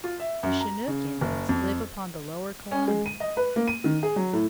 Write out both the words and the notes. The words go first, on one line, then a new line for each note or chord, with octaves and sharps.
The Chinook Indians live upon the lower Columbia.
F4
E5
F#2
A#5
C#3
F#1
F2
C#4
G#3
D#7
D#5
B4
A#3
D#7
D#3
G#4
F#3
A2